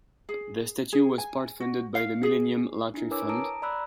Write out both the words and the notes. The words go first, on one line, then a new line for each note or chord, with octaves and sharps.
The statue was part-funded by the millennium lottery fund.
G#4
G#4
G#5
F#4
F5
G#4
D4 E4
A#4 B4 C#5 G#5 D6 E6
A5 A#5 D#6 D7
D5 A#5 B5 E6 F#6